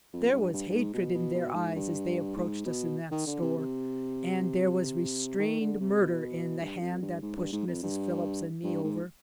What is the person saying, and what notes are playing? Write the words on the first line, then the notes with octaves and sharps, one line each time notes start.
There was hatred in their eyes as they approached us in that store, and there was restrained murder in the hand that pushed Mrs. Phillips and me over.
F2
G2
G2
G2
G#2
B2
B2
B2
G#2
G2
G#2
B2
D#3
D3
C3
C3
D#3
D3
C3
B2
G2
F2
G2
G#2
G2
G#2
F2
G2
G2
G#2